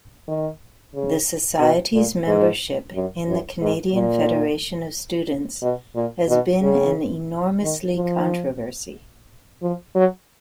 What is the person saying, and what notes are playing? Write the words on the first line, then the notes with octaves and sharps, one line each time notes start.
The society's membership in the Canadian Federation of Students has been an enormously controversy.
D#3
C#3
B2
A#2
G#2
F#2
F#2
G#2
A#2
B2
A#2
B2
C#3
D#3
F3
F3
F#3